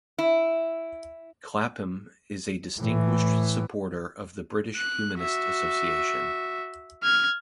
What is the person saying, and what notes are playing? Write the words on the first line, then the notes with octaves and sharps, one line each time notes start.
Clapham is a Distinguished Supporter of the British Humanist Association.
E4
A2 E3
F#6
F#4 E5
F6 G#6